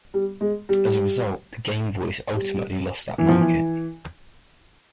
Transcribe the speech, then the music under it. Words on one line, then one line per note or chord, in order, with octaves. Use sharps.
As a result, the Game Voice ultimately lost that market.
G3
G#3
G3
G3
E3
F3
E3